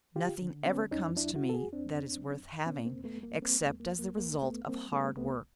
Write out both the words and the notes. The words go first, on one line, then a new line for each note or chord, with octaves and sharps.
Nothing ever comes to me, that is worth having, except as the result of hard work.
D3 F4 G4
D3
G3 B3 C#4
F2 C#4 D#4
F#3 D4 E4
E4 F#4
D3
A4
F#4 G#4
F2
C4 D4
F2
F#3
F2
B2 B3 C#4
A#3 C4
E2
A3 B3
G3
A#3
G3 A#3 C4
A3 B3
E2
A#3
E2
A#3
C2 A#3
C2 A3 B3
G3 A#3 C4
G3 A3 B3
C2 A3 B3